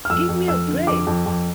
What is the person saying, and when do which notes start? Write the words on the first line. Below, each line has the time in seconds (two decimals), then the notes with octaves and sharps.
Give me a break!
0.05 F6
0.10 F2 E6
0.29 F2
0.48 F2 E6
0.68 D3
0.87 F2 D6
1.07 F2
1.26 F2